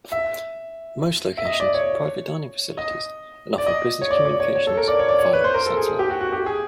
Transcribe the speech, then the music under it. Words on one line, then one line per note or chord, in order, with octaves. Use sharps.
Most locations have private dining facilities and offer business communications via satellite.
E5
E5
D#5
D5
C#5
D#5
D5
D#5
C#5
D5
D5
C#5
C#5
A4
A#4
D5
C#5
D5
C#5
B4
C5
A#4
A4
G#4
G#4
G4
F#4
F#4
G4
G#4